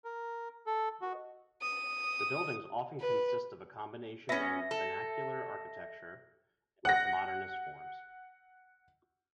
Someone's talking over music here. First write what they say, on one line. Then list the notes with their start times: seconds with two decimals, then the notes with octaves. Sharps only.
The buildings often consist of a combination of vernacular architecture with modernist forms.
0.04 A#4
0.66 A4
1.02 F#4
1.62 D#6
3.00 B4
4.29 B3 C#4 E5 A#6
4.71 A4
6.85 F#5 A#6